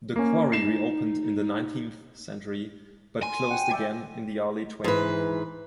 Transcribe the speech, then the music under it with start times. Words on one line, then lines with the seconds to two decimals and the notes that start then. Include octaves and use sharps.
The quarry reopened in the nineteenth century but closed again in the early twentieth.
0.16 A#3 C#4
0.52 D#4 C7 E7
3.23 G#5 C6
3.50 F#5 G5
3.71 D5 E5 G5
4.84 G#2 E3 B4